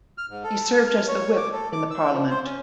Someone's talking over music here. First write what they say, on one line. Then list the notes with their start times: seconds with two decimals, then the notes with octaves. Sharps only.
He served as the whip in the Parliament.
0.18 F6
0.30 G#2
0.44 A4
0.87 F6
1.08 C#5
1.37 D6
1.52 A4
1.73 D6
1.91 E6
2.12 F3
2.31 C5
2.45 C#4